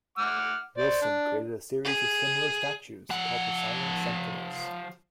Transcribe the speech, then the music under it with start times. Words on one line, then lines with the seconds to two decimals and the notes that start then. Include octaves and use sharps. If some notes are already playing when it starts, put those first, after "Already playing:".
Wilson created a series of similar statues called the Silent Sentinels.
0.18 F#5 D6 F6
0.77 C5 D5
1.02 D4
1.84 G#4
3.10 F3 F#5